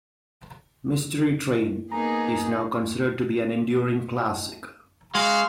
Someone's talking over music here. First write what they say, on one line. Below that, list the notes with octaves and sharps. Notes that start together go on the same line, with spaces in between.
"Mystery Train" is now considered to be an "enduring classic".
A#3 B3 D#4 G#4 G#5 A#5
G#3 F#4 F5